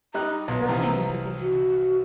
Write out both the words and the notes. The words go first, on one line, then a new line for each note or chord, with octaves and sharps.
D'Artagnan took his hand.
G3 D#4 A#5 F#6
B1
C2 E3 F3
F#4